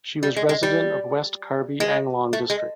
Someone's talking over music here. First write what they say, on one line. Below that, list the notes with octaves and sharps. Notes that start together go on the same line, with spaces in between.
She was resident of West Karbi Anglong district.
G3
G#3
G#3
G3
G#3
A3
G#3